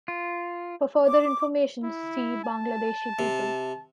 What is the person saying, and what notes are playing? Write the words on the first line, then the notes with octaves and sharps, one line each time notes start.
For further information, see Bangladeshi people.
F4
D6
E4
A5
C3